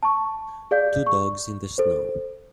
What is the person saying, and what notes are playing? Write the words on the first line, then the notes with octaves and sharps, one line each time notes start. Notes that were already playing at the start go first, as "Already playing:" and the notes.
Two dogs in the snow.
A5 C#6
G#4 D5 F5 G6
C#6
A4 C5